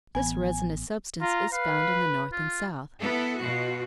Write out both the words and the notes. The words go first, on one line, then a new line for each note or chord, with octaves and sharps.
This resinous substance is found in the north and south.
A1 E3 B3 G#5
F4 A#5
B4 F5
F4
B3 E4 A4
B2 F4 F#4